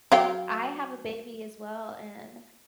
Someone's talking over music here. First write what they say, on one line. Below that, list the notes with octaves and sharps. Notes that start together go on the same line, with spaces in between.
I have a baby as well, and
F#3 F5 G5